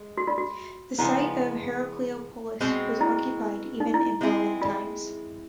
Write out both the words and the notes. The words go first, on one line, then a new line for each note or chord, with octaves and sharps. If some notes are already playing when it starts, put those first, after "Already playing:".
The site of Herakleopolis was occupied even into Roman times.
Already playing: G#3
F#4
F4
F#4
C#3 F3 G#3 B3 E4
B2 G#3 C4
E4
D#4
E4
G#3 C4 E4 G#4
F4